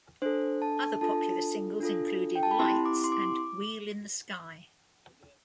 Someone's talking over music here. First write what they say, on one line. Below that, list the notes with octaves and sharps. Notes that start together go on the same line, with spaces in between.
Other popular singles included "Lights" and "Wheel in the Sky".
D4 A4 C5
A5
D4 F4 A4 A5
D4 F4 A4
G5
A5
B5
C4 E4 G4 C6
D6
C6
D6